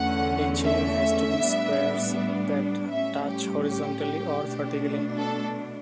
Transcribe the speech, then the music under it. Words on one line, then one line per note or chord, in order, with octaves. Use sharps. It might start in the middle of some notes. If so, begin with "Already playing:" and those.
A chain has to be squares that touch horizontally or vertically.
Already playing: E2 D3 A3 C#4 F#5
E5
A2 G3 B3 D4
A2 G3 C#4 E5
G4
G4
B2 A3 D4
A4